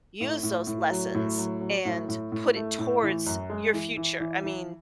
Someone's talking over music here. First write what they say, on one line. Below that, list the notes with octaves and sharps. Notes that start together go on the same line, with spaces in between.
use those lessons and put it towards your future. I mean,
A2
A2
A2
F#3
A2
F#3
F#3
A2
A2
A2
A3
A2
E3
F#2
G#3
E3
E3
E3
E3